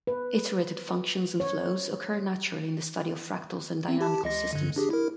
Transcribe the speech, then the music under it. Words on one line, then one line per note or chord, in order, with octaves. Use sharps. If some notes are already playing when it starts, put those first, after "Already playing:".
Iterated functions and flows occur naturally in the study of fractals and dynamical systems.
B4
C#5
C4
G4 A5
C#2 D#5 A#6
G2 D3
D4 G4 G#4
E4 A#4